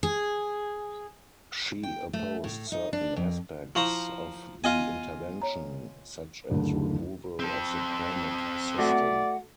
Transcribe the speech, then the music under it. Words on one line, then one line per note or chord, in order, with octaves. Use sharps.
She opposed certain aspects of the intervention such as removal of the permit system.
G#4
G5
A3
A2
D#4
D4
F2
F3 E4 C5 F5 A#5 C#6
B3 F4 D#5 G#5
C#5 A#5
F#1 D2 A3 D4
C4 A4
A3 F#4 D5 F#5